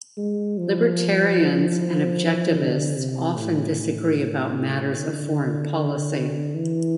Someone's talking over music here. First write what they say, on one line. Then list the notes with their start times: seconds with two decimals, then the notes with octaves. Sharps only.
Libertarians and Objectivists often disagree about matters of foreign policy.
0.18 G#3
0.58 F3
2.57 D3
2.96 C3
3.36 A2
4.95 D3
6.55 E3